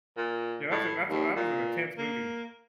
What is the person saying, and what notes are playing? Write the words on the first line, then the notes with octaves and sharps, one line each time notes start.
Yeah. That's a that's a that was an intense movie.
A#2
A2
D#2
A#2
A#3